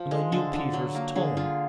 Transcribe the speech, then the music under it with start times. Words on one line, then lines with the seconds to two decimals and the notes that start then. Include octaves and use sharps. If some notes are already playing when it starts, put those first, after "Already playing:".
And I knew Peter's tone.
Already playing: F3
0.11 G#3
0.32 D3 A4
0.53 D3
0.73 F#3
0.95 A#3
1.15 D3 G#4
1.37 D3 F4